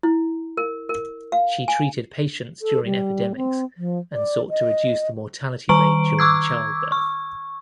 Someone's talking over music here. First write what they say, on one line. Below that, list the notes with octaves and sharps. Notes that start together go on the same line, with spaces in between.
She treated patients during epidemics and sought to reduce the mortality rate during childbirth.
E4
A#4
A#4
F5
G#5
A4
G3
C4
F3
D5
D#5
D#3 A#5 C#6 D7
C#6 D6 E6 G#6
C#6